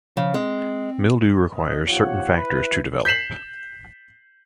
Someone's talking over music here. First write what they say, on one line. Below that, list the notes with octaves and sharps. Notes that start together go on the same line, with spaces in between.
Mildew requires certain factors to develop.
C#3 F3
G#3 C4
C#4 D#5
D#2 F3 F4 G4 C#5 F#5
E4 B4
G6 B6 C7 E7 F#7